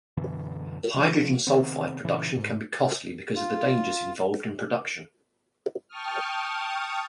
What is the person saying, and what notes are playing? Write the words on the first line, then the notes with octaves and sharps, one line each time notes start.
Hydrogen sulfide production can be costly because of the dangers involved in production.
F#2 B2 D3 E3
C#3 F3
C3 D#3 B3 C4
A#2 C#3 E3
G#2
F4
G5 A5 C#6 D#6 F6